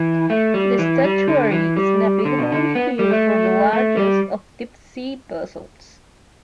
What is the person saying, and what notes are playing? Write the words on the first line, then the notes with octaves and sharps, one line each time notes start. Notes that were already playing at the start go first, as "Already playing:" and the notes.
The estuary is navigable here for the largest of deep-sea vessels.
Already playing: E3
A3
G3
E3
G3
D3
E3
G3
D3
B2
D3
B3
G3
A3
A3
G3